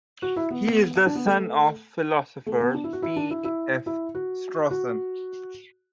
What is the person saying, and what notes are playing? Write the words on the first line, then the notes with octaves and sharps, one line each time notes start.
He is the son of philosopher P. F. Strawson.
F#4
E4
B3
D4
B3
A3
A3
B3
D4
E4
F#4
E4
D4
E4
E4
E4
F#4
F#4